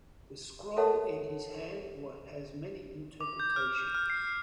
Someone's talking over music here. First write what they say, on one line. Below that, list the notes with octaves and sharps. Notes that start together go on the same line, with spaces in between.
The scroll in his hand has many interpretations.
A4 A#4 C#5 F#5 A5
D6
G6
F6
F6
C7